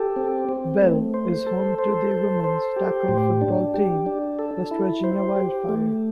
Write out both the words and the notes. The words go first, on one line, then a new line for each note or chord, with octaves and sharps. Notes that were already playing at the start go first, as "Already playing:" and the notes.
Belle is home to the women's tackle football team West Virginia Wildfire.
Already playing: G4 A4
C4
C4
A3
C5
A4
C5
A4
C5
G4
A2
D4
G4
D4
A4
E4
C5
G4
A3